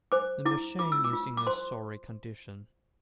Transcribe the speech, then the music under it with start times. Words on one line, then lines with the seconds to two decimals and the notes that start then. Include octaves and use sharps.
The machine is in a sorry condition.
0.12 C5 D6
0.45 E4 D6
0.79 F4 D6
0.92 E6
1.04 D6
1.13 F4
1.37 D6
1.47 C5 C6